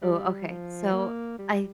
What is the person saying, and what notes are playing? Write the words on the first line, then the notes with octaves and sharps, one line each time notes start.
Ooh, okay. So, I
G3
F3
A#3
G3